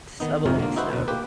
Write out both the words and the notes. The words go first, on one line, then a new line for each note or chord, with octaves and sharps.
shoveling snow.
D#3 B3 D#4
G#1 F2 C3 G#3 A#4 C#5
D3 A#3
D#4 E4 F#4 B4 C5
D2 B2
A#3 G4 B4